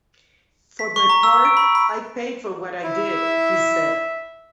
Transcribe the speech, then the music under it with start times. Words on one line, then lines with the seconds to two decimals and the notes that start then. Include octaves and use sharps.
"For my part, I paid for what I did," he said.
0.79 B6
0.96 C#6
1.09 A#5
1.23 E6
1.45 D7
1.57 B5
1.75 B5
2.84 E4 E5